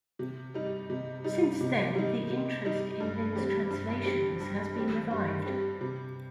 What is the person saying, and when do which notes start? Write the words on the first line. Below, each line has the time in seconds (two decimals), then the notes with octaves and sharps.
Since then the interest in Lin's translations has been revived.
0.19 C3
0.54 G3 D#4
0.90 C3
1.24 G3 D#4
1.61 C3
1.95 G3 D#4
2.30 C3
2.65 G3 D#4
3.00 G2
3.35 G3 C4 G4
3.71 G2
4.05 G3 C4 G4
4.40 G2
4.76 G3 C4 G4
5.11 G2
5.45 G3 C4 G4
5.81 C3